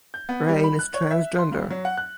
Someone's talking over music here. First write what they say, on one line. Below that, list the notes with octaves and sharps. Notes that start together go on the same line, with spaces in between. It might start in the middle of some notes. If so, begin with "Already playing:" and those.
Raine is transgender.
G6
B3
G3
B5
F#6
C#5
E5
C6
G2
F#3
F#5
F#6